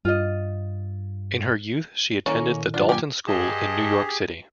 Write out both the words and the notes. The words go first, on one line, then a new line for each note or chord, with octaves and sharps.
In her youth she attended the Dalton School in New York City.
G2 F4 D#5
D#3 A#3 C#4 E4 A4
A#2 D#3
F#3 D4 F4
G2 A#3 G4 G#5
G2 G4 G#4 D#5 A5